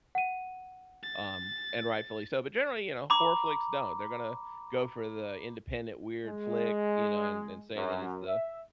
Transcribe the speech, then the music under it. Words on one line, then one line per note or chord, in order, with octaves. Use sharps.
um, and rightfully so, but generally, you know, horror flicks don't. They're gonna go for the independent weird flick, you know, and and say that it's the
F#5 D#7
A6
A#5 B5 D6
G#3
F#2
E5